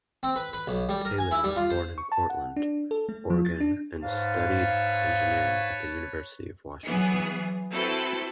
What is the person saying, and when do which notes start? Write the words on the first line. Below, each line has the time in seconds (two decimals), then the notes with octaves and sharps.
Taylor was born in Portland, Oregon and studied engineering at the University of Washington.
0.23 C4
0.36 B4
0.53 B4
0.67 B1
0.89 G3
1.05 A#4
1.18 G#5
1.31 E4
1.44 G3
1.56 F4
1.70 C5
1.98 C#6
2.12 A5
2.30 F#5
2.57 D4
2.91 A4
3.09 A3
3.30 F3
3.45 A6
3.60 D4
4.04 G#2 B4 C#5 F5 A5
6.87 E3 F#3 B3 G#4
7.72 C4 E4 F#4 A4 B4